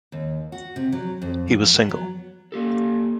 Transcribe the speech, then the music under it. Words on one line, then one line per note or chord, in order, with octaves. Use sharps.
He was single.
D#2
F#4
C3
F#3
F2
F3
B3
F#3
A#3 G4 A4